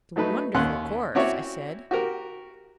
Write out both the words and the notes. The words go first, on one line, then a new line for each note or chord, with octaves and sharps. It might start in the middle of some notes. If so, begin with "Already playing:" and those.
"It's a wonderful course," I said.
F#3 A3 D#4 B4
D#2 C#4 F#5 C6 F#6
C4 C#4 E4 F#4 C#5 D5
F#4 G4 A#4